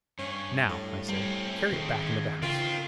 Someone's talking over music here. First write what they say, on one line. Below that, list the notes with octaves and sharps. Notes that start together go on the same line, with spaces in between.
"Now," I said, "carry it back into the house."
G2 C#4
A2
G3 C4 C#4
D#3 G#4
C#3 C4 F4 A#4 G5